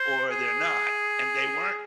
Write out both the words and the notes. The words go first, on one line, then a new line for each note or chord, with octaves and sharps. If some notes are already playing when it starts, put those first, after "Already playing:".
or they're not and they weren't.
Already playing: C5
G#4